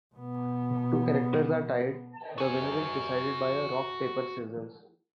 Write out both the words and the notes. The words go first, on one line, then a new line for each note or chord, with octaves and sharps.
If two characters are tied, the winner is decided by a rock-paper-scissors.
B2 B3
F#4 G#5